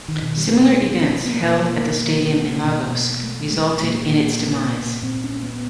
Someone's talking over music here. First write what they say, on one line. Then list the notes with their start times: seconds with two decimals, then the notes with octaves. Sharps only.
Similar events held at the Stadium in Lagos resulted in its demise.
0.08 D#3
0.22 B2 D#3
0.37 G3
0.53 A3
0.68 A#3
0.83 B3
0.98 C#4
1.12 B3
1.28 A#3
1.43 B2 A#3
1.73 A#3
2.63 B2
3.23 A3
3.54 G#3
3.83 A#2 A#3
5.03 A#2 C4
5.24 C#4
5.43 B3